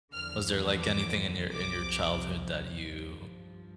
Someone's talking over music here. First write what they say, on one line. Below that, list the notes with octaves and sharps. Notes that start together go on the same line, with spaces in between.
Was there, like, anything in your in your childhood that you
E2 D3 F3 F6
D6
C2 C3 F3 D6
G2 F3